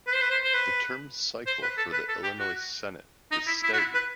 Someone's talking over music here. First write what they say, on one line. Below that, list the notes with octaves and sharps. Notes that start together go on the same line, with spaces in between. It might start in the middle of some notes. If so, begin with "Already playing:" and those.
The term cycle for the Illinois Senate is staggered.
B4
C5
B4
C5
C5
B4
C5
B4
A4
B4
A4
G4
F#4
D#4
E4
E4
F#4
E4
B4